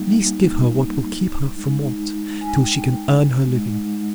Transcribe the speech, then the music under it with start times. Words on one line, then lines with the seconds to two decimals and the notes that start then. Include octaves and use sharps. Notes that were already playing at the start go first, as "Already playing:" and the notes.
But at least give her what will keep her from want, till she can earn her living.
Already playing: G3 A#3 D#4
1.56 G#3 D#4
2.41 G#5
2.52 G5
3.47 G#3 D#4